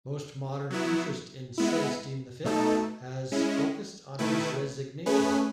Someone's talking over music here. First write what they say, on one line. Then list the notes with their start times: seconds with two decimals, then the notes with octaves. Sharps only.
Most modern interest in Celestine the Fifth has focused on his resignation.
0.70 F#3 B3 E4
1.58 G#3 B3 E4
2.45 B2 A3 D#4 A4
3.32 G#3 C#4 E4
4.19 D#3 A3 E4 B4
5.06 A3 C#4 G#4 B4